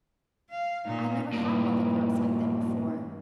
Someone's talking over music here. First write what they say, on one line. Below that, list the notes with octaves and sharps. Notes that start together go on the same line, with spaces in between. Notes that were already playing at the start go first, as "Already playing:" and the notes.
I never had mullygrubs like them before.
F5
A#2 D#4
G2 A#2